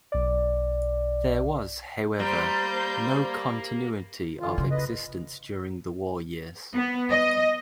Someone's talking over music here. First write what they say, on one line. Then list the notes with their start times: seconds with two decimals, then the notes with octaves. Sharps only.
There was, however, no continuity of existence during the war years.
0.12 B1 D5
2.20 G3 A#3 A#4 C5 A#5 C6 G6
4.40 D3 E3 F4
4.58 C#3
4.71 B4 D#5
6.75 B3
7.10 D#5